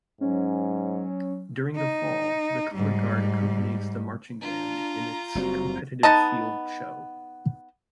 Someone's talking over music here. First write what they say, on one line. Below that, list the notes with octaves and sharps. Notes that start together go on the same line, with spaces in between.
During the fall, the colorguard accompanies the marching band in its competitive field show.
G#2 F#3 C#4
D#4
G#2 G3
D4 F4 A#5
F#1 G3 C4 F#4
B3 D#4 D#5 A5